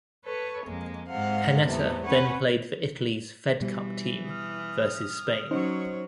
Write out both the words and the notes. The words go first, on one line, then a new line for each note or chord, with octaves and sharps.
Pennetta then played for Italy's Fed Cup team versus Spain.
A4 B4 C#5
F2 G#3 A#3
G#2 C3 F5 F#5
E2 A2 C3 G3 A3 B3
C4 C#4 B4 C#5 F#5
B2 E3 G3
D#6 F6
F#3 C#4 D#4 C5 C#5